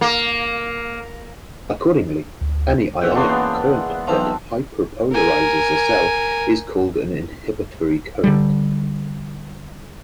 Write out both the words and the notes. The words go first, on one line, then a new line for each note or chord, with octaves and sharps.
Accordingly, any ionic current that hyperpolarizes a cell is called an inhibitory current.
A#3
D2
E2 C#4 E5 F#5 G5
E2 C#3 A#3 D4 F#4 C6
G#3 B3 G5
F#5
B1 E3 F3 C4 A#5
A#4 G#5
D3 G3